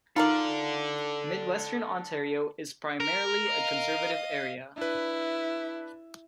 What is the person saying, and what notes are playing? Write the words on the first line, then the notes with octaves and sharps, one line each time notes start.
Midwestern Ontario is primarily a conservative area.
D#4 F4 A4 A#4 D5 F5
A#4
D#5 F5
D4 E4 B4